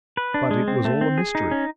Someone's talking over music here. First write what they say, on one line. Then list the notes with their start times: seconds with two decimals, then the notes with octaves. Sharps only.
But it was all a mystery.
0.17 B4
0.34 D4
0.51 G#3
0.68 C4
0.85 A3
1.01 C4
1.18 G#4
1.35 D#4
1.51 C#4